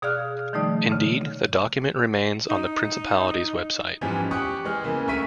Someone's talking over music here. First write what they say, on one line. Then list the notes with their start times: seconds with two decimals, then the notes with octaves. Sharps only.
Indeed, the document remains on the Principality's website.
0.02 B2 G#4 D5 F5 F6 F#6
0.53 D#3 F3 G3 A3 D#4 D5
0.92 C#3
2.50 D#4
4.01 G#2 E3 F3 G3 B3 C#4
4.31 G4 F#5 C#6 D#6 F#6
4.65 E3 G#3 F6
4.84 C#3 E3 A#3 B3
5.07 D2 A#4 E5 C#6 B6 D#7